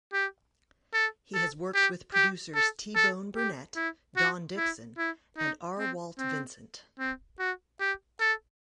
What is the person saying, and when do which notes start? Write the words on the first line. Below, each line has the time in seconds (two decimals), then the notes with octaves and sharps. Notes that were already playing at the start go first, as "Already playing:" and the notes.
He has worked with producers T-Bone Burnett, Don Dixon, and R. Walt Vincent.
0.13 G4
0.94 A4
1.34 A4
1.74 G4
2.15 G4
2.55 A4
2.96 A4
3.36 G4
3.76 E4
4.17 F#4
4.57 E4
4.98 E4
5.38 D#4
5.78 C4
6.19 C4
7.00 C4
7.39 F#4
7.80 G4
8.20 A4